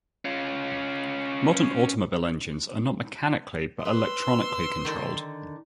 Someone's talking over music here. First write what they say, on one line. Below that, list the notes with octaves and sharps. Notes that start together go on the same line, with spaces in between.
Modern automobile engines are not mechanically but electronically controlled.
C#4 F4
B4 C5 C6 E6
D3 D#3